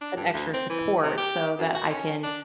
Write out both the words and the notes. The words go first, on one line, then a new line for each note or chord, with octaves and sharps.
some extra support so that I can,"
D4
G2
D2
C4
E3
C3
G4
F#2
F#4
C#4
D4